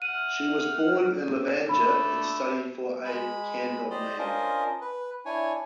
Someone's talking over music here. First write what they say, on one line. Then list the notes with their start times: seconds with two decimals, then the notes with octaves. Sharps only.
She was born in Levanger, and studied for a cand.mag.
0.02 F#5 F6 D#7
1.69 D3 A3 B5 E6
3.05 G#3 B5
3.90 G4 C5 D5 D#5
4.19 C#4 D4 F4 A#4 C5 D#5
4.81 B4
5.25 D4 E4 C#5 G#5